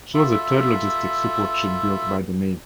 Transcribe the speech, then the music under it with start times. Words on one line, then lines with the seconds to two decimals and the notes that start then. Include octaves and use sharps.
She was the third logistic support ship built by the Navy.
0.14 F4 A4 E5 B5